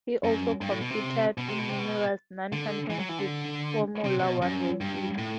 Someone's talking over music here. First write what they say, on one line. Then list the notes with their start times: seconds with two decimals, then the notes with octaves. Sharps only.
He also competed in numerous non-Championship Formula One races.
0.24 F#2
0.61 G2
0.71 A2
0.81 B2
0.90 C3
1.38 B2
1.48 C3
1.58 B2
1.69 C3
1.79 B2
2.52 D3
2.90 E3
2.99 F#3
3.09 E3
3.19 D3
4.04 C3
4.19 C3
4.23 B2
4.42 F#2
4.81 G2
5.18 A2